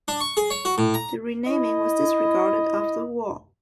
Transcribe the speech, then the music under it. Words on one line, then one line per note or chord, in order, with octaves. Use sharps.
The renaming was disregarded after the war.
D4
C#6
G#4
C#5
F#4
A2
A#5
E4 D#5